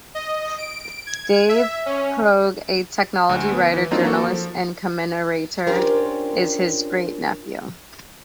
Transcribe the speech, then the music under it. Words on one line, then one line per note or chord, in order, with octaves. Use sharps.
David Pogue, a technology writer, journalist and commentator, is his great nephew.
D#5
D7
G#6
E5
C#4
D2 D3
B3
E3
F#3 A#3 C4 D4 D#4 F4
A#3 F#4 A4
F3
C#4 D4 F4 G4 A#4 C5